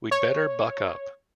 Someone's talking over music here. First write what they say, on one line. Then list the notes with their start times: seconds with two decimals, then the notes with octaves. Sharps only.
We’d better buck up.
0.11 C#5